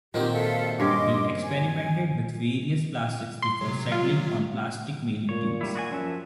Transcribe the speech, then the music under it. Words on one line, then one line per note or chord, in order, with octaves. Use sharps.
He experimented with various plastics before settling on plastic mailing tubes.
A#2 D#3 F#3 C4 D#4 G4
A4 E5 F5
G2 C#4 G4 D#5 C6 D6
G#5
C6
C3 F#3
F4
A#2 C#5
D#3 G3 E4
F#4 D5 G#5
F#2 F3 F#4 E5